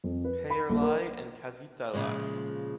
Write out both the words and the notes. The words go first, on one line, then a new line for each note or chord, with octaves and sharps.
Pei’erlai and Kasitailai.
F2
B4
B5
A#1
A#4
A#2 C#3 F3 G#3